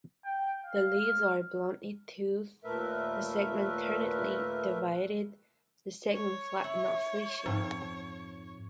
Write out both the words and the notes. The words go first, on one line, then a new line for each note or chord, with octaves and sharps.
The leaves are bluntly toothed, the segments ternately divided the segments flat, not fleshy.
G5
F5
F6
D#2 A#2 A3 A#4 B4 E5
C#5
E4
F2 G#2